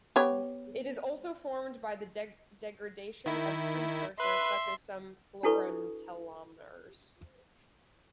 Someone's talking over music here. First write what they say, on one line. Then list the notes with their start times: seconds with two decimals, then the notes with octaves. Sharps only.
It is also formed by the degradation of precursors such as some fluorotelomers.
0.16 B3 G4 C#5
3.26 D#3 E4
4.20 B4 E5 C6
5.43 D4 E4 F#4 A4 B4 C#6